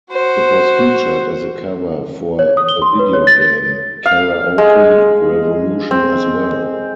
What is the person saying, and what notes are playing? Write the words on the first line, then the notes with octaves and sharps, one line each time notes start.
It was featured as a cover for the video game "Karaoke Revolution" as well.
F#4 C5
C#5
D#6
G7
C6
B4
C#5
A6
F5
G#3
C4